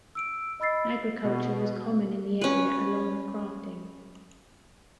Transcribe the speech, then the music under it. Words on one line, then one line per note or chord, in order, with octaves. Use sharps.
Agriculture was common in the area along with crafting.
E6 D7
D#5 B5 E6 A6 C7
B2
C#4 B4